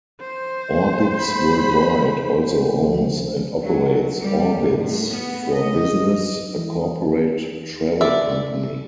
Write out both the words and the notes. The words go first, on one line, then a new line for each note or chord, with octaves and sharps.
Orbitz Worldwide also owns and operates Orbitz for Business, a corporate travel company.
C5
B5
F3
F#3
G3
A2
B3
D#5
E3
D5 E5